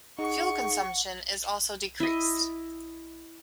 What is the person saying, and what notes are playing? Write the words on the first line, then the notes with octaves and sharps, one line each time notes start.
Fuel consumption is also decreased.
D#4 G#4 F#5 C#6
E4 D#5